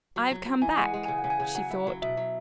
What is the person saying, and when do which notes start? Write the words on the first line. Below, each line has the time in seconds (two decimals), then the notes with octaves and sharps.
"I have come back," she thought.
0.16 F#3
0.31 F#3
0.46 F#3
0.62 E3 G#5
0.77 G#3 F#5
0.94 G#3
1.06 C#3 G#5
1.18 F#5
1.24 C#3
1.30 G#5
1.40 C#3
1.55 F#3 F#5
1.70 E4
1.87 F#3
2.02 B2 E5
2.17 F#3